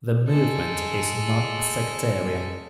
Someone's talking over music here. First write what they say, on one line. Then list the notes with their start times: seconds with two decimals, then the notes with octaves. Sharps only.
The movement is non-sectarian.
0.30 G#3 A4